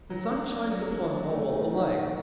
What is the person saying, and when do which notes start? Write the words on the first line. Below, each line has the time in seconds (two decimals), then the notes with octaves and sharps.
The sun shines upon all alike!
0.10 F#3
0.30 D4
0.50 A#3
0.70 F#3
0.90 D4
1.10 F#3
1.30 A3
1.51 D#3
1.71 D#3
1.92 A#2